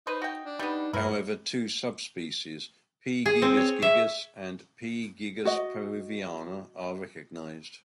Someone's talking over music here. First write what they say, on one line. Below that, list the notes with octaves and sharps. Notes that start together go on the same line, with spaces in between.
However two subspecies "P. gigas gigas" and "P. gigas peruviana" are recognised.
D#4 B4 C5
F#4 G5
D4
G3 B3 D#4
G2 A#2 E4 A#4 B4 C#5
G#4
C4
C#5
E5
F#4 D#5